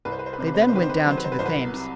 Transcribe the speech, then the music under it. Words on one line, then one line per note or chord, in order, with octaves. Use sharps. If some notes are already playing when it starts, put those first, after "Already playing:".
They then went down to the Thames.
C2 B4
C5
B4
C5
B4
C3 C5
B4
C5
B4
C5
D#3 B4
C5
B4
C5
B4
F#3 C5
B4
C5
B4
C2 C5
B4
C3